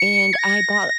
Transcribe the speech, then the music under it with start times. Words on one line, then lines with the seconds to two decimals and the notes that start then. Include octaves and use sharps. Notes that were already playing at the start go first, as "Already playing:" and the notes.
and I bought
Already playing: C#7
0.33 G#6
0.39 A#6